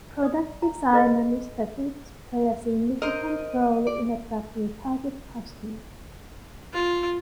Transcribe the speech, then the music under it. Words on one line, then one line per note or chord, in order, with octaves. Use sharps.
Product design and aesthetics play a significant role in attracting target customers.
D5 D#6
A#5
A4 B4 D#5 B5
A#4 C5 D#5
D5
F4